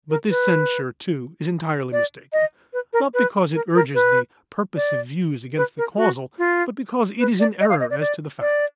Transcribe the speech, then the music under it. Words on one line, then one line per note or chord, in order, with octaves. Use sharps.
But this censure too is entirely mistaken, not because it urges the purposive views against the causal but because it is in error as to the facts.
A#4
B4
D5
D#5
B4
A#4
B4
A#4
A#4
B4
D5
B4
A#4
F#4
F4
B4
D5
D#5
F5
D#5
D5
D5
D5